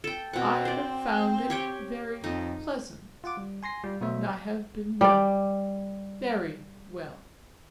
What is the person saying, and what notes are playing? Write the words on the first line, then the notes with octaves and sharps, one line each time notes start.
I have found it very pleasant--and I have been well--very well.
A4 G5
B2 C4 F#5
C5 D5
G4 C#5 G5
F2 D#4
F4 F#5 D6
G3
G#5 C6 A#6 C7
G3 F4
B2 F#3 A3 C5 E5
G3 D5